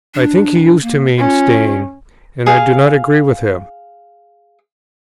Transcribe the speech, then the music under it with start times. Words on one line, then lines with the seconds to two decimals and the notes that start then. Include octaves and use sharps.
I think he used to mean "stain," and I do not agree with him.
0.15 D4
0.83 A#3
1.18 C#4 F4
2.46 G#4 F5